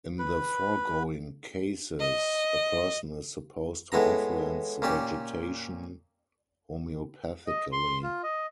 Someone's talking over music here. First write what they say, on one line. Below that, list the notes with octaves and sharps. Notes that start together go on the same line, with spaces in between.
In the foregoing cases a person is supposed to influence vegetation homeopathically.
B4
D#5
A2 G#3 B3 A#5
A#2 C#4 G4 D5
D#5
C6
F4
D#5